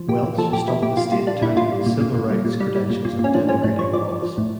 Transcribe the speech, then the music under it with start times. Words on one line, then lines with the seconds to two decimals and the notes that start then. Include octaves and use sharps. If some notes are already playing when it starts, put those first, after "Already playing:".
Welsh stumped the state touting his civil rights credentials and denigrating Wallace.
Already playing: F3
0.08 A#2 G4
0.24 A#2
0.38 F3 A4
0.53 A#2 G4
0.68 F3 E4
0.82 A#2 G4
0.97 A#2 F4
1.12 G3 F4
1.27 G3 D4
1.42 A#2 E4
1.56 A#2 F4
1.72 G3
1.86 A#2
2.01 A#2
2.15 A#2
2.31 G3
2.45 A#2
2.60 G3
2.76 G3
2.90 A#2
3.05 A#2
3.19 A#2
3.24 C#4
3.34 F3 D4
3.49 F3 C#4
3.63 A2 D4
3.79 F3 C#5
3.93 F3 D5
4.08 F3
4.22 F3
4.38 A2